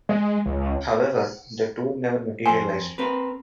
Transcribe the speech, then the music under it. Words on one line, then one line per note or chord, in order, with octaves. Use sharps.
However, the tour never materialised.
G#3
C#2
F2 C5 G#5
C4 A#4 B4